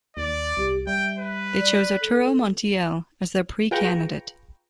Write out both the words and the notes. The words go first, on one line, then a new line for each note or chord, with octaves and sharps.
They chose Arturo Montiel as their pre-candidate.
D#2 D5
C2 G4
G3 E5 G5
B4
D5
A4
F4 G#4 B4 G5 A#5 C#6